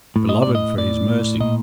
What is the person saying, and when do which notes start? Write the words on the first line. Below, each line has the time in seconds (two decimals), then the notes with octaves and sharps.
Beloved for his mercy!
0.16 A2
0.29 D#5
0.42 A2 D5
0.55 D#5
0.78 A2 D5
1.09 A2
1.40 A#2 D#5